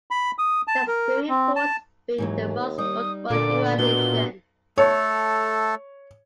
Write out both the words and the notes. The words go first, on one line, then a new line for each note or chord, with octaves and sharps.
The swimming pools being the most notable new addition.
B5
D#6
A5
A#4
C4
A5
D#2 G#2 E3 F#3
G3 D#4 D#6
A#2 D3 A4 D5 D6
B2 A#3 B3 D4 G7
A3 A4 C#5